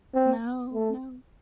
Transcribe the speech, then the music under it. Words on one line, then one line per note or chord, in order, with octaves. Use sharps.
No. No.
C4
A3